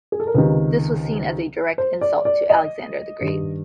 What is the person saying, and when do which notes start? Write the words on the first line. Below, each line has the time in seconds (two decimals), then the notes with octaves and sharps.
This was seen as a direct insult to Alexander the Great.
0.12 G#4
0.20 A4
0.27 A#4
0.34 C#2 C3 D#3 B4
1.78 C5
2.01 D5
2.25 D5
2.50 D#5
3.21 G2 D#3